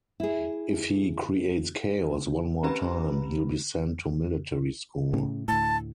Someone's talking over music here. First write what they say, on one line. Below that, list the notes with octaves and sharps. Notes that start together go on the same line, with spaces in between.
If he creates chaos one more time, he'll be sent to military school.
E4 G#4
C4 C#4 G4 B4 A#5 B5
A2 C#3
D2 A2 A5